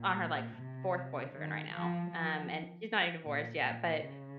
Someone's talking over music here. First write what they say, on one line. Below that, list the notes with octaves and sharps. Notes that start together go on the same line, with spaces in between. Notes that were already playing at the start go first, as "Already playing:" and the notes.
on her, like, f fourth boyfriend right now, um, and she's not even divorced yet, but
Already playing: A#2
C3
D#3
F3
F3
A#2
A#2
C#3